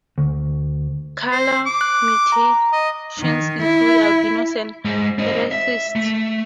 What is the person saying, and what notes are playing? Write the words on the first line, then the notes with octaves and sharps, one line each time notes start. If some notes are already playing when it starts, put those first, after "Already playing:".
Colour mutations include albinos and erythrists.
D2
C5
D6
F#6
A#5
D#5
D#3
E4
G#2
C4 D#4
E5
A3